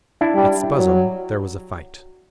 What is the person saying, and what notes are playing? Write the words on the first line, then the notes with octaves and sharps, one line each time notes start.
At Spuzzum there was a fight.
D4 E4
G3
F#3